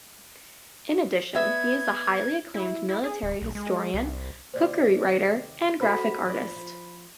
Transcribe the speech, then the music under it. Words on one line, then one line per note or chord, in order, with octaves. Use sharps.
In addition he is a highly acclaimed military historian, cookery writer, and graphic artist.
B3 E5 G#6
E4
E4
G#4
D1
B1
G#3
C2
D#2 C3 C5 D5
D4 F#4 A4 C5 B5 B6
F3 D5
F3